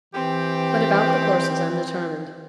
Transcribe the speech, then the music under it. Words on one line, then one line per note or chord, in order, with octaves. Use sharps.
But about the horses I'm determined.
E3 C4 G4